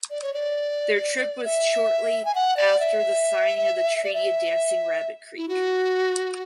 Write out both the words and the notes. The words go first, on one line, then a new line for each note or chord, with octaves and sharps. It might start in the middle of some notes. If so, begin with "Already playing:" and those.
Their trip was shortly after the signing of the Treaty of Dancing Rabbit Creek.
D5
C#5
D5
E5
G#5
F#5
D5
E5
D5
E5
E4
F#4